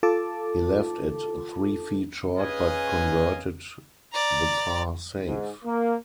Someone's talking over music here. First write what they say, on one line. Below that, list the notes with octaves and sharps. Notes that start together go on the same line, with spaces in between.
He left it three feet short but converted the par save.
F4 A4 A5 D6
C#4 G#4 B4 D#5 F5 G#5
D5 A#5
G#2
A#3